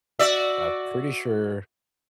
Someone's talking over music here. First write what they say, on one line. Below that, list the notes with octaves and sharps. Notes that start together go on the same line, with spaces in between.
I'm pretty sure
F#4 D5 E5